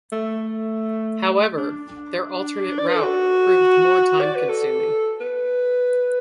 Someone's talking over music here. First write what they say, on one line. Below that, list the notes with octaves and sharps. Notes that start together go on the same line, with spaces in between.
However, their alternate route proved more time-consuming.
A3
D4
D5
B4
A4
F#4
D5
B4
A4
B4